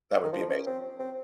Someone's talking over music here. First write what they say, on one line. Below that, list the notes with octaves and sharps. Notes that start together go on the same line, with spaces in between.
that would be amazing.
D#3
F3
C#4
C4
C4